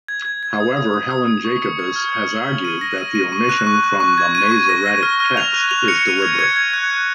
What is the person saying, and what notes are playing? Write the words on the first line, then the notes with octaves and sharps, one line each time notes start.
However Helen Jacobus has argued that the omission from the Masoretic text is deliberate.
G#6
G#6
G#6
D#6
D#6
D#6
D#6
G#6
C#6
C#7
G#6
F6
C#7
F#7
F6
D#7
A#6
D#7
D#7
C#6
F#6
C#6
F#6
C#6
G#6
D#7
C#6
A#6
A#6
F6
F6
F7
F#6
F7
C#7
D#7
G#6
G#6
G#6
F#6
C#7